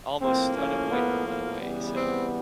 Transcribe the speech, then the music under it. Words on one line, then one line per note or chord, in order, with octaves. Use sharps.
almost unavoidable in a way, so
A2 F3 A#3 C4
C#4
B3
B3
C#3 E3 G3 B3
C4